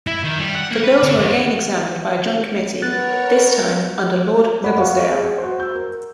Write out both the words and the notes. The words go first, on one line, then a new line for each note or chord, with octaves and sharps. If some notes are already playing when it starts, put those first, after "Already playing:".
The bills were again examined by a joint committee, this time under Lord Ribblesdale.
E4
D#3
G3
F#5
A#3
B4
D3
D#2
B3 A#4 C#5 F#6 A6
C#5 D5 F#5 B5
F5 F#5 C#6
G#4
F#4 C5
E6 G6
A#4